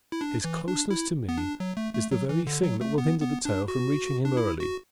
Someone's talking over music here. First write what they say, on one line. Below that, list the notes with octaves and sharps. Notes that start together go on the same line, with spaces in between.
His closeness to me is the very thing that will hinder the tale from reaching him early.
E4
D4
E3
D4
E4
B3
D4
F#3
A3
A3
F#3
E3
D3
F#3
A3
B3
B3
D4
F#4
D4
E4
F#4